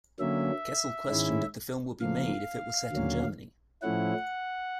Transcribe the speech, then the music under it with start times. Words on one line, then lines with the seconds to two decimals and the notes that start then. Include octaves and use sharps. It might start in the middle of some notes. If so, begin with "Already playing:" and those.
Kessel questioned if the film would be made if it were set in Germany.
0.19 D3 F#3 A#3 C#4 E5
1.10 G#2 D#3 G#3 C#4 E4
2.00 C#3 F3 A#3 F5
2.92 D#2 D3 F#3 A#3 C#4
3.82 A2 F3 A3 C#4 E4 F#5